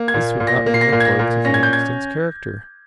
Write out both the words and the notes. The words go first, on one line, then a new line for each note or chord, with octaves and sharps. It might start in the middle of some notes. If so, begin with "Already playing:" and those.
This would not be in accordance with Livingstone's character.
Already playing: A#3
G#6
A#2
A#2
A#6
A#3
C7
A#6
A#2 C7
G#6
A#6
A#2
C#4 A#6
G#6
G6
G#6